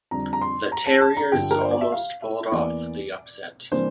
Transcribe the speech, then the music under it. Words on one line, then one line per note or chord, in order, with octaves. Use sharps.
The Terriers almost pulled off the upset.
F2 D3 G3 D4 A#5
A#5
C6
A#5
A5
A5
A#5
G2 D3 F3 G5
A#4
C5
D5
E5
F5
E5
E2 E3 A#3 D5
C3 E3 G3 A#3 D4 C5